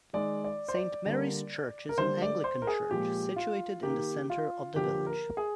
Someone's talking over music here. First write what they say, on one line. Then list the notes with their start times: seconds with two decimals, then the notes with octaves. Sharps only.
Saint Mary's church is an Anglican church situated in the centre of the village.
0.13 D#3 G#3 D5
0.44 D5
0.68 C5
0.75 D5
1.06 D3 G3 A#3
1.89 A#4
1.98 D3 G3 A#3 C5
2.22 D5
2.44 C5
2.62 A#4
2.67 G#4
2.91 A#2 F3 G#3 G4
3.36 F4
3.83 D#3 A#3 G4
4.30 F4
4.75 D3 F3 A#3 G4
5.06 A#4
5.37 G#4